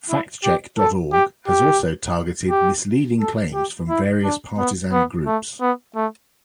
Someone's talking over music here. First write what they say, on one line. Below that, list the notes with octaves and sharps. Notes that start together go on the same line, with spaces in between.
FactCheck dot org has also targeted misleading claims from various partisan groups.
E4
G4
A4
G4
G4
G4
A4
G4
E4
D4
B3
B3
A3
B3
A3